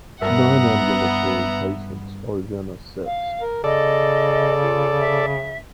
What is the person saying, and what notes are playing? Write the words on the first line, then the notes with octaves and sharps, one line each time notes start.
Non-ambulatory patients are then assessed.
G2 B3 A#4 E5 F#5 A5 A#5
F5
A#4
C#3 A4 D5 D#5
F4
E5